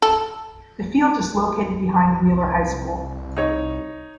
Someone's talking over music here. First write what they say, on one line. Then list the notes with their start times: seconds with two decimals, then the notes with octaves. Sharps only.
The field is located behind Wheeler High School.
0.02 A4
2.25 C2
3.37 D#4 C#5